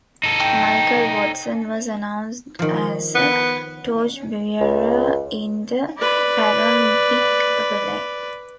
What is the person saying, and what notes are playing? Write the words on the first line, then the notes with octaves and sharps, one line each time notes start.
Michael Watson was announced as a torchbearer in the Paralympic relay.
D#4 A4
D#3 F3
B3
C#2
B4 D5